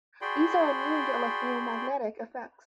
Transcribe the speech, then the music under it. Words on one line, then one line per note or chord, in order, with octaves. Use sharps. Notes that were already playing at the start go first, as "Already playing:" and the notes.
These are immune to electromagnetic effects.
F#4 G#4 D5 G5 B5 C6